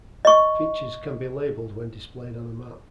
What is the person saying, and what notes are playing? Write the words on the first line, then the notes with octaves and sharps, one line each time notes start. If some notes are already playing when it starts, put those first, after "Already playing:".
Features can be labeled when displayed on a map.
D#5 C#6